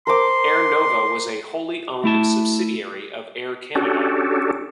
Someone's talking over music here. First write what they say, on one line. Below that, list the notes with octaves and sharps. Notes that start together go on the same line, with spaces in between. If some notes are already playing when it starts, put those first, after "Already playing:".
Air Nova was a wholly owned subsidiary of Air Canada.
A#4 C5 C6 D6
A3 E4 A5
C#4 D4 F#4 G4 A4